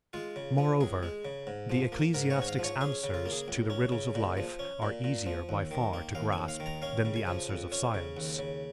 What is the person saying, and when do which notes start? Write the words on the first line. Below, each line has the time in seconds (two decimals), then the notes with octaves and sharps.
Moreover, the ecclesiastic's answers to the riddles of life are easier, by far, to grasp than the answers of science.
0.13 G#3 F4
0.36 C#3
0.58 F3
0.81 C#2 G#4
1.03 G#3
1.25 C#3
1.47 G#2
1.70 F3
1.92 A#3
2.14 G#2 A#4
2.30 C#5
2.36 G#2
2.42 G#5
2.48 F5
2.59 F3
2.64 C#5
2.81 C#4 G#4
3.04 C#3
3.14 F4
3.26 A#3
3.31 G#4
3.48 C#2
3.70 C#4
3.92 C#3
4.15 A#2
4.37 F3
4.59 C#4
4.82 A#2
5.04 A#2
5.26 F3
5.49 D#2
5.71 D#3
5.93 A#3
6.15 D#2 F5
6.32 G#5
6.38 D#2
6.48 F5
6.60 D#3
6.66 A#5
6.82 C#4 F5
7.05 C#3
7.16 G#5
7.27 F3
7.49 F2
7.72 C#4
7.94 C#3
8.17 D#2
8.39 C#3